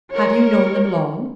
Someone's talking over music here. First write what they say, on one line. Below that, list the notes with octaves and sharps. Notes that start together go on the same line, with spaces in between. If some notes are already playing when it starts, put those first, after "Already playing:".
"Have you known them long?"
A#4 C#5